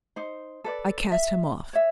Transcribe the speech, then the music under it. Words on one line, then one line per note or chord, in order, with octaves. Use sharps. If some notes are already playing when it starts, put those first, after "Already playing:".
I cast him off.
D#4 C5
A4 B4 D5
E5
C#5 E5